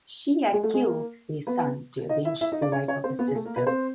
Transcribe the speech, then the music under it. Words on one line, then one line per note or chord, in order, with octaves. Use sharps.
She had killed their son to avenge the rape of her sister.
G#3 G#4
A3 A4
G#3 G#4
A#3 A#4
B3 B4
D#4 D#5
E4 E5
E4 E5
D#4 D#5
D4 D5
C#4 C#5
C#4 C#5
C4 C5
B3 B4
G#4
A3 A4
A#3 A#4
B3 B4
C4 C5